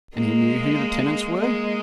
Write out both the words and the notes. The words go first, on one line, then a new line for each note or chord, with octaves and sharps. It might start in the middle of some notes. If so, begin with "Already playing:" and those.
"And he knew who the tenants were?"
G#3 A#3
G#3 A#3